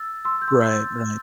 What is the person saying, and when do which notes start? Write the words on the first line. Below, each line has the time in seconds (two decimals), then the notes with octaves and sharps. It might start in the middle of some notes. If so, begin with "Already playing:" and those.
Right, right.
Already playing: E6 A6
0.25 C6 E6
0.42 G6
0.48 C6 E6
0.70 E6 A6